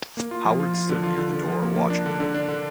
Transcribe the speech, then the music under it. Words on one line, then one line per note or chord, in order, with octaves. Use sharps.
Howard stood near the door watching him.
A#3
F4
F3
F4
F4
D3
F4
D3
D3
F3
A#3
A#3
D4
D3
D3
D4
D3